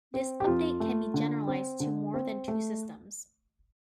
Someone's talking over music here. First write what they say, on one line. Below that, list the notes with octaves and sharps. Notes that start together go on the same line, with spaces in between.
This update can be generalized to more than two systems.
C4
G4
F2 F4
A3
D3
C4
D3
C4
A3